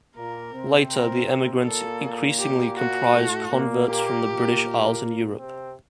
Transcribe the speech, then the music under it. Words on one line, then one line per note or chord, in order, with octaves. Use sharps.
Later, the emigrants increasingly comprised converts from the British Isles and Europe.
A#2 A#3 A#4
C3 C4
A#4
A#2 A#3 A4
G4
F#4
A2 A3
A#2 A#3
A#2 A#3 G4
A#2 A#3
C3 C4